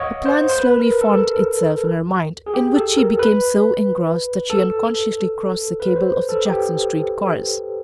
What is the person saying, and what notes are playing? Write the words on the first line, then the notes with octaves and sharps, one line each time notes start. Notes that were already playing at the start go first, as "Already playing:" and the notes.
A plan slowly formed itself in her mind, in which she became so engrossed that she unconsciously crossed the cable of the Jackson Street cars.
Already playing: C#5 D#5 F5 F#5
C5
C5
B4
A#4
A4
G#4
G4
A4
A#4
B4
A4
B4
C5
A4
G4